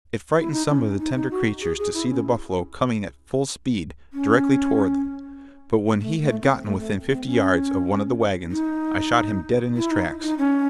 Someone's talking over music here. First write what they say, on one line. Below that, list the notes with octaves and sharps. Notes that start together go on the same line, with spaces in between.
It frightened some of the tender creatures to see the buffalo coming at full speed directly toward them; but when he had got within fifty yards of one of the wagons, I shot him dead in his tracks.
E4
D#4
C#4
D#4
D#4
F#4
G#4
G#4
E4
C#4
C#4
A3
A3
C4
A3
A3
C4
C#4
D#4
E4
D#4
D#4
C#4